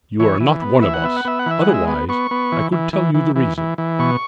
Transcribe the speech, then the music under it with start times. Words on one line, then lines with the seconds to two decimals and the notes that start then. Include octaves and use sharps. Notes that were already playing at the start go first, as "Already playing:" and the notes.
"You are not one of Us, otherwise I could tell you the reason."
0.20 E3 C#5
0.40 E3
0.62 B3
0.82 E3 E5
0.94 F#5
1.04 B3 E5
1.16 F#5
1.25 B3 E5
1.39 F#5
1.46 E3 E5
1.61 F#5
1.67 G#3
1.74 E5
1.88 B3
2.09 B3 C#6
2.31 B3
2.52 E3
2.72 E3
2.93 E3
3.15 E3
3.36 E3
3.58 E3
3.78 E3
3.99 B2 C#6